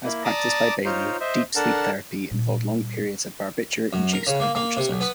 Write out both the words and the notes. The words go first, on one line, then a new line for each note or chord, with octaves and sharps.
As practised by Bailey, deep sleep therapy involved long periods of barbiturate-induced unconsciousness.
A#3 E4
D5 A5 A#5 D6 D#6
D#4 F4 C5 C#5
C5 D#5 E5
D4 A4 A#4 F#5 A5
A#2 G3
F#2
A#4
C#3
A#3
A#3
C3
B1
B3